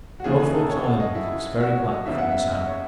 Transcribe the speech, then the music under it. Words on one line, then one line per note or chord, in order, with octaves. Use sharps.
Beaufort Island looks very black from the south.
F#4
D#2 C#3 E3 G#4
G#4
A4
C#5
F#5
D#5
E4
F#4
C#5
D#5
F#1 E2 C#3 E3 E5
F#5
E5
D#5
C#5